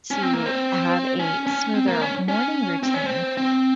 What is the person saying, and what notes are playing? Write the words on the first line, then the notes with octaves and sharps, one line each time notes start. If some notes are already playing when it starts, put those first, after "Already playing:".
to have a smoother morning routine,
C#4
C4
A#3
C4
C#4
C#4
C4
A#3
C#4
C#4
C4
C#4
C4
C4